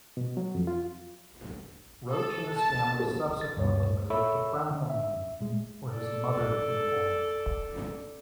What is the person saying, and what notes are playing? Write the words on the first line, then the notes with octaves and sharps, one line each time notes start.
Roach and his family subsequently moved to Framlingham, where his mother had been born.
B2
F#3
F2
F4
A4
A5
A6
D2 G2 C#5
A4 C#5 E5 B5 C#6 E6
D3
E5
A#2 G#3
A4 D5